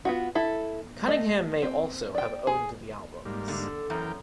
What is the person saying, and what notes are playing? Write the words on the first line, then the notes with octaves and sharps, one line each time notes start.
Cunningham may also have owned the albums.
B3 F4 F#4
E4 A4
A3 D#5
C4
D5 G5
G#4
G#2 G3 A#3
D3
F#2 E3 A#4 G5